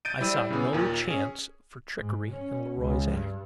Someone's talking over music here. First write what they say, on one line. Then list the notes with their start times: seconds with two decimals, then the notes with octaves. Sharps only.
I saw no chance for trickery in Le Roy's act.
0.05 G6 A6 D7 D#7
0.20 G3 E4 C5 D5 E6 D#7
0.50 C#3 E3 B3 G#4
0.73 D#2 A#2 D#3
1.08 C#4 G#4
1.99 G#2
2.32 C#4
2.77 C#2
3.10 G2